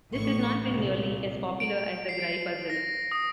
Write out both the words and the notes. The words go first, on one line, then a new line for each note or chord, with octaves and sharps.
This has not been nearly as popular as the gry puzzle.
A1 A2 C#6
C2 A#2
D7
C7
D7
A#6
D#6